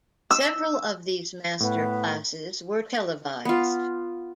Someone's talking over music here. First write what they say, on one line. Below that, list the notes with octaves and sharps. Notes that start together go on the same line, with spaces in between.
Several of these master classes were televised.
E6
A2 B3
B3 F4